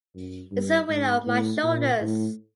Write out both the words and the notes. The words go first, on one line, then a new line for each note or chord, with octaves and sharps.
It's a weight off my shoulders.
F#2
G2
G#2
A2
A#2
A2